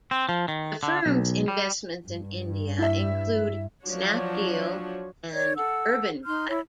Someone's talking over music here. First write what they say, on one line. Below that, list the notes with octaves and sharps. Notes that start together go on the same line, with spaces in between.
The firm's investments in India include Snapdeal and UrbanClap.
C4
F3
D#3
D3
B1
G3
G2
E4 E5
F3 F#3 D4 F#4 C#5
C#5 D5 G#6
A4 F#5 E6
D#4 C6 F6 G6
E4 C#5